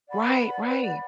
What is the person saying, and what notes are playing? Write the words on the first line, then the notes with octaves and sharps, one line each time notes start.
Right, right.
D5 F#5 B5
B4
D5 F#5 B5
B4
D5 F#5 B5